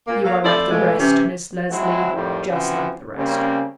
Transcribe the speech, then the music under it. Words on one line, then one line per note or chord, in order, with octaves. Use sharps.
You are like the rest, Miss Leslie; just like the rest.
A#2 A#3
F#3 A#3 A4 F5
F3 A3 C4 E4 D5
B2 E3 F3 G#3 A3
C3 E3 C#4
F#3 G#3 C4 E4 F#4
F2 A2 D#3 G3 C4
C#3 E3 F3 C4 F#4
C#3 G3 A#3 C4 C#4